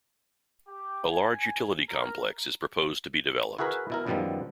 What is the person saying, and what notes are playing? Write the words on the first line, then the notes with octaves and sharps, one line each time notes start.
A large utility complex is proposed to be developed.
G4
G#5
A#4
E4 F#4 G#4 A#4 B4
B2 E4 A#4
F#2 B2 D#3 F3 G3 B3